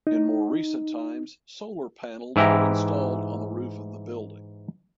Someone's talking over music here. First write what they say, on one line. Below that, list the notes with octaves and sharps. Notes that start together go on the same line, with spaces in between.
In more recent times solar panels were installed on the roof of the building.
D#4
G#2 E3 E4 G4 A#5